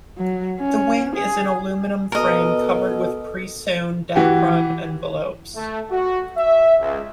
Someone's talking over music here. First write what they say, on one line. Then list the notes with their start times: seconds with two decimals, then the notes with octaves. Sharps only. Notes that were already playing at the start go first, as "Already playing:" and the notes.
The wing is an aluminium frame covered with pre-sewn Dacron envelopes.
0.18 F#3
0.60 C#4
1.16 G#4
2.12 B2 A4 A#4 D#5
4.15 E3 F#4 G4
5.55 A3
5.91 F#4
6.37 E5
6.80 C#2